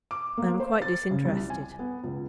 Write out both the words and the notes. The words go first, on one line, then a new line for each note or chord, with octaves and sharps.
I am quite disinterested.'
D6
A#3
C5
A6
C#3
C2
G#5
B3
C#2